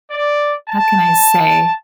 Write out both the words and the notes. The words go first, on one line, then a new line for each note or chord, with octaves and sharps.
how can I say?-
D5
A5